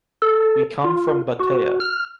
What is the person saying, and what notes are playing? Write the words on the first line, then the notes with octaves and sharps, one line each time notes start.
We come from Batea.
A4
F4
F#4
F6